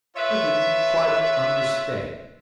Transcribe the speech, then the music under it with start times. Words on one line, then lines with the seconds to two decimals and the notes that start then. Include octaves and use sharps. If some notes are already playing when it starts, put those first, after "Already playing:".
"I didn't quite understand."
0.16 F4 B4 C#5 E5